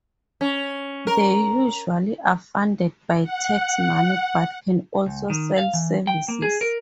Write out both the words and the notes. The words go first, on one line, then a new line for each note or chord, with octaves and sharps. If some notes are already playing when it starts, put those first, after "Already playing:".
They usually are funded by tax money but can also sell services.
C#4
A#4
F#5
C#2
D#3
F5
E3
G5
A#3
G#4
A#4